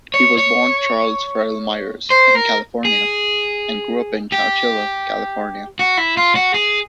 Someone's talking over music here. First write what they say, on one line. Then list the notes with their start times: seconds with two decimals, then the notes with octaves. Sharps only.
He was born Charles Farrell Myers in California, and grew up in Chowchilla, California.
0.14 C#5
0.38 C#5
2.10 C5
2.35 A#4
2.85 G#4
4.32 G4
5.79 F#4
5.98 E4
6.17 F4
6.35 F#4
6.54 G#4